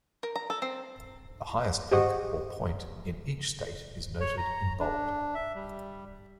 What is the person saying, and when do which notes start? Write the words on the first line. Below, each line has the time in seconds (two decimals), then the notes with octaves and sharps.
The highest peak or point in each state is noted in bold.
0.23 A#4
0.36 A#5
0.50 A4
0.62 C4
1.91 G4 G#4 C5 D#5 F#5 C#6
4.20 C#5
4.38 A#5
4.80 D4
5.35 E5
5.55 G3